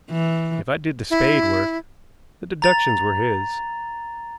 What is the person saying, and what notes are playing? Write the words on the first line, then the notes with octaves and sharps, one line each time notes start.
If I did the spade work, the deductions were his.
E3
E4
A#5 A6 F7